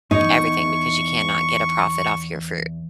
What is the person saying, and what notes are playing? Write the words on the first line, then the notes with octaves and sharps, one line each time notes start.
everything, because you cannot get a profit off your fruit.
E2 D#4 C#6